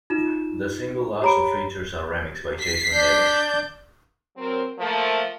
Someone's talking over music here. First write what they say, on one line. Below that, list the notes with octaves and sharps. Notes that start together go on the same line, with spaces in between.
The single also features a remix by Jason Nevins.
D#4 F4 E7
G4 C#5 A#5 B5 D7
B6 C7
D4 D5 G6
F#3 C4 A#4
F3 A3 A#3